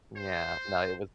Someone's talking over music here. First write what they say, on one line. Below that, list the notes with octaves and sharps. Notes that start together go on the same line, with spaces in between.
Yeah, no, it was
C5